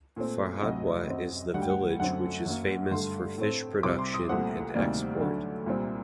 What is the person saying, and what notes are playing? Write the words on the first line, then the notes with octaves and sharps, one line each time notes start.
Farhadwa is the village which is famous for fish production and export.
A#2 A3 C4
D2 C3 F#3 D#5
F#2 F#3 C4
D2 D3 G3 F#5
G5
F#5
F#2 D3 F#3 A3 C4 F#5
F#2 F#3 A#3
G2 D3 A3 C6
A2 A3 C4
C2 C3 G3 C4 D6
C6
D#6
C2 A#2 A3 C4 F#5
D2 C3 D#3 G3 A#3 D5
D2 D3 F#3 A3
C2 A#2 G3 C4